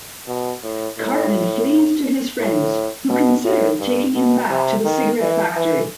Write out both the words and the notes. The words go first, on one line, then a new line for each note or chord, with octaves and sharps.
Cartman flees to his friends, who consider taking him back to the cigarette factory.
B2
A2
A2
A2
B2
A2
G2
B2
C3
D#3
E3
E3